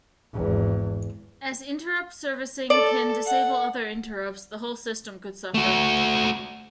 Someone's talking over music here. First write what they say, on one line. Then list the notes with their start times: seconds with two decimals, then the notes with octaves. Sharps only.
As interrupt servicing can disable other interrupts, the whole system could suffer.
0.33 G#1 E2
2.70 A4 D5
3.26 F#5
5.54 A3 F#4